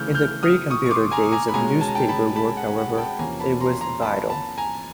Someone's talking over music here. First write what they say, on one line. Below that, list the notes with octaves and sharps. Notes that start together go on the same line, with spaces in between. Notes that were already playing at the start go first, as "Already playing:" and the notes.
In the pre-computer days of newspaper work, however, it was vital.
Already playing: C#3 E3 A3 F6 G6
F6 G6
D#6 F6
C#6 D#6
C#6
C6 D6
G#5 A#5
G#5 A#5
B5
B2 G#3 C#4 G#5 A#5
A5
A#5
G5 A5
A5 B5
A5 B5
F#5
F#5
G5 A5
E2 C3 F3 A#3 C#4 G#5 A#5
A5 B5
A#5 C6
A#5 C6
A5 B5
A5 B5
G#5 A#5